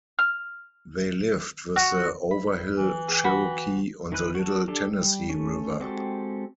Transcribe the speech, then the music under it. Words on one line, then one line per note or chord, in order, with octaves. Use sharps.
They lived with the Overhill Cherokee on the Little Tennessee River.
F6
F#4
B5
E3
G#4 G5
F#4 G5 B5
D#3 E3 B4 F#6
F#4 A5
D4 G4 A4 A5
G3
A3 C#4
G#3 C4 F#4 G4 A4